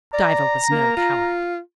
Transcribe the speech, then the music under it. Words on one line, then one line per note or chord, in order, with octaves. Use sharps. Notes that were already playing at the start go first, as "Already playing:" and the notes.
Diva was no coward.
D5 A#5
A#3
F4